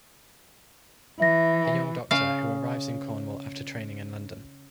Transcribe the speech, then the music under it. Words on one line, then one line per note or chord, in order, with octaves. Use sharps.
A young doctor who arrives in Cornwall after training in London.
E3 E5 A#6
C#3 F5